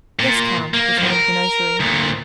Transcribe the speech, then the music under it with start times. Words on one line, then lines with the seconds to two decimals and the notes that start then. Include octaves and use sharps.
"Yes, count," returned the notary.
0.19 A#2
0.74 A#3
0.98 A2 F3
1.11 A#4
1.80 D2 A#2